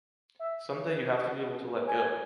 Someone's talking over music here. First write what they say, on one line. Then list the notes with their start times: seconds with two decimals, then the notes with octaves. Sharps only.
Someday you have to be able to let go.
0.39 E5
1.87 G#5